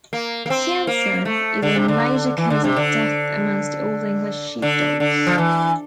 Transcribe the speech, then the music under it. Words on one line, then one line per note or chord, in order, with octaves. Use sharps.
Cancer is a major cause of death amongst Old English Sheepdogs.
A#3
A#3
C4
A#3
A3
D3
C3
D3
E3
D3
C3
D3
D3
D3
F3
E3